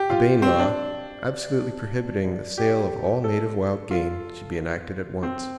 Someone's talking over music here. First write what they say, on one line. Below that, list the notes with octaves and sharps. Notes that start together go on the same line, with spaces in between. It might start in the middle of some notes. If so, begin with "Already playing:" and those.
A Bayne law, absolutely prohibiting the sale of all native wild game, should be enacted at once.
Already playing: G4
F4
C4
D4
G4
A4
F4
C4